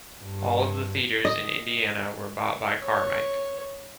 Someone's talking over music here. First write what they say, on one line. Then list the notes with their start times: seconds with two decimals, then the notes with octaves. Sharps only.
All of the theaters in Indiana were bought by Carmike.
0.22 G2
1.25 D#5
2.82 C#5